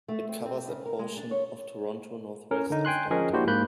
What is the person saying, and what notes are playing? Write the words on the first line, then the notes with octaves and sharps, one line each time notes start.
It covers a portion of Toronto northwest of downtown.
A3
C4
C4
C#3
A#4
G#3
D4
C#5
C#4 A#4
D3 D#4
G5 G#5 C6 F#6
F3 C#4 G#4 A#4 C#5 D#5
A#3 D4 E4 F#4 G4 C5
G#2 A#3 B5 F#6 G6